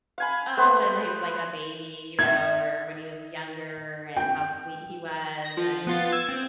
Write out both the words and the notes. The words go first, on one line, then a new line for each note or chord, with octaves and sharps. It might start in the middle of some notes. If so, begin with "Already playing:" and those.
oh, and when he was, like, a baby, you know, or when he was younger and how sweet he was, and
F5 G#5 B5
A3 B3 C5
D#4 E5 G#6
G5
A#6
F3
B3 F4 A6
E6 G#6
C4